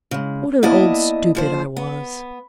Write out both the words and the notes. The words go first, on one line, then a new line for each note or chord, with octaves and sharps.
What an old stupid I was!
C#3 G#3
A#3 B3 E4 D5 D#5 A5
D#2 F3 C5
B3